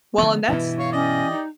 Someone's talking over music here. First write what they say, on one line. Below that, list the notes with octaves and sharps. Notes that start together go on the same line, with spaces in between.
Well, and that's
D3 F3 B3
G2 B2 E3 E4
C#5 F5
C#4 G4 D5 D#5
D#4